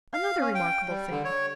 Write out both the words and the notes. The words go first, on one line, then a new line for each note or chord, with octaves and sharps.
Another remarkable thing.
F5
C#4
G5
G3
D3
C#5